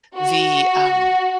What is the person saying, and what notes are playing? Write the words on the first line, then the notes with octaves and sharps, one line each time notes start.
the, um,
F#4